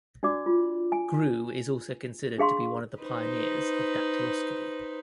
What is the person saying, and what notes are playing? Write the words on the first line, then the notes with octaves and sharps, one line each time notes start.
Grew is also considered to be one of the pioneers of dactyloscopy.
D4 F#4 D5 D6
F4
G#5
D4 G#4 F5 C6 C#6
D#4 B4 C5